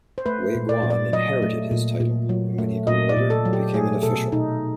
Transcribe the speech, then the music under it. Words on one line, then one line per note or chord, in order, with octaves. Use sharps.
Wei Guan inherited his title, and when he grew older became an official.
C5
A3 B4
A#2
D5
A#2
D5
F#3 D#5
A3
A#2
A#2
F#3
A3
A#2 D#5
D5
A#2
A4
F#3
G4
A3 G#4
B2 A4
B2 D#4